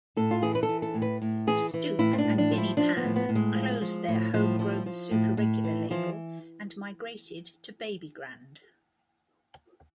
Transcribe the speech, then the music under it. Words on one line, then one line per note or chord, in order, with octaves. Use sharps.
Stoupe and Vinnie Paz closed their homegrown Superegular label and migrated to Babygrande.
A2 A4
F4
E3 G#4
B4
A4
E3
A4
A2
B4
A2
E3 G#4
E3
A2 E4
C4
D4
A2
D4
F3
E4
F3 D4
B3
A2
B3
A2
G#3
F3
F3
A2
A2 F3
F3
F3
A2
A2
E3
E3 F3